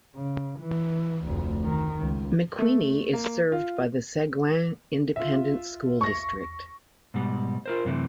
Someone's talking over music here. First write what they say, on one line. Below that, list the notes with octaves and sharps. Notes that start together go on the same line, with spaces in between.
McQueeney is served by the Seguin Independent School District.
C#3
E3
F1 D2
D#3
C#2
A3
A#3
F4
F4 E5
C#6 A#6
G#2 B2 G3
F4 A#4 C5
F#2 C3 E3 A3